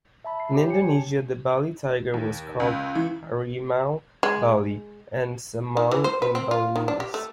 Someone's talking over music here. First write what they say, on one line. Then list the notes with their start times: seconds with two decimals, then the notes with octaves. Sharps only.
In Indonesia, the Bali tiger was called harimau bali, and samong in Balinese.
0.25 E5 A5 B5
0.40 C7
0.55 G4 C#5 G5
0.70 G#5 C#7
0.89 A5
2.14 D#2
2.60 C#2
2.95 E3
4.23 G#3
5.77 D#3
5.91 E3
6.04 C5
6.22 B4
6.35 C4
6.51 F4
6.76 D#3
6.88 D4
7.00 G4
7.14 A3